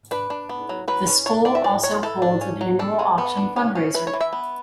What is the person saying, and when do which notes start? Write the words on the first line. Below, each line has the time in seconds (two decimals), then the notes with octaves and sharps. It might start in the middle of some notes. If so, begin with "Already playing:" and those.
The school also holds an annual auction fundraiser.
0.11 D4 B4
0.30 D4
0.49 B3
0.69 F#3
0.88 F#3 B4
1.07 C#4
1.26 D4 C#5
1.45 D4 D5
1.55 E5
1.64 F#3 D5
1.83 F#3 C#5
2.03 E3 A4
2.22 D4
2.41 C#4
2.61 F#3
2.79 D4 A4
2.99 G#3
3.18 B3
3.37 D4
3.56 C#4
3.75 C#4
3.94 E3 B4
4.07 C#5
4.14 E3
4.21 E5
4.33 B3